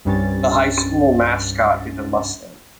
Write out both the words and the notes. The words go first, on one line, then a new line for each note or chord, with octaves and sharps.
The high school mascot is the Mustang.
C2 G2 C#4 A6